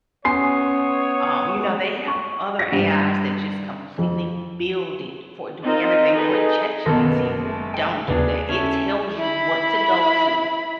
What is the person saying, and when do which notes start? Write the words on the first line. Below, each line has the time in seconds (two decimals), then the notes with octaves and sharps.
um, you know, they have other AIs that just completely build it for do everything for ChatGPT don't do that. It tells you what to go to,
0.25 B3 C#4 C#5 G#5 C6 D#6 C7
2.08 C#6
2.59 A#6
2.72 G2
3.98 F2
5.65 C4 D#4 F4 A#4 D#5
6.14 D#4 G#4 A4 B4 D#5
6.86 F#1 B2 D#3 A#3 B3 A4 D#5 A5
7.42 G#3 A3
7.74 G5
8.08 D#2 C#3 B3 D4 G#4
8.49 C#4 E4 A4
9.18 E4 B5